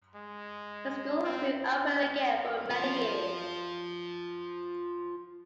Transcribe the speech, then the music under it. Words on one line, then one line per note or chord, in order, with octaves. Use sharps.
The school has been open again for many years.
G#3
C4
F4 C5